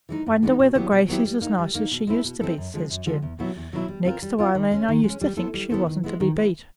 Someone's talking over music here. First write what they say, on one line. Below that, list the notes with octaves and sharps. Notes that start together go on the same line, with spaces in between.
'Wonder whether Gracey's as nice as she used to be,' says Jim. 'Next to Aileen I used to think she wasn't to be beat.
E3 G#3 B3 D#4
G2
E3 G#3 B3 D#4
B2
F#3 B3 E4 G4
B2
F#3 B3 E4 G4
G3
A#3 D#4
G3
A#3 D#4
B2
G#3 C4 E4 A4
B2
G#3 C4 E4 A4
F#2
D3 F3 G#3 C4
F#2
D3 F3 G#3 C4
E2
B2 F#3 B3 E4
E2
B2 F#3 B3 E4
G3
C4 F4 A#4
G3
C4 F4 A#4
D#3
G#3 C#4
D#3
G#3 C#4
G3
B3 E4 A4 C5
G3
B3 E4 A4 C5
D#3
G#3 B3 E4
D#3
G#3 B3 E4